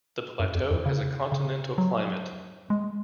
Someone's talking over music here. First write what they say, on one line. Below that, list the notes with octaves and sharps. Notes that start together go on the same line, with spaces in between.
The plateau has a continental climate.
F#2
F2
F2
C#3
C#3
F#3
G#3